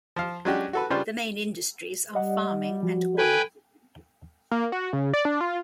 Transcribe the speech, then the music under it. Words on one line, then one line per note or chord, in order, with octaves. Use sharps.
The main industries are farming and oil.
F3 F5
F#3 G#3 C#4 D4 F#4 G4
F#4 A4 B4
C#3 G3 D4 F4 B4 C5
G3 D#5 F#5
F3 F#4
A4 B4 G5 G#5
A#3
F#4
C#3
D5
D4
F4